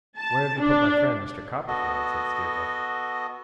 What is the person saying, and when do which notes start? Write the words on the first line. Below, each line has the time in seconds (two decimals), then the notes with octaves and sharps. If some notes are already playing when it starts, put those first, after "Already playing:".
'Where have you put my friend, Mr. Copperfield?' said Steerforth.
0.19 A5
0.59 D4
1.68 B3 F#4 A4 D#5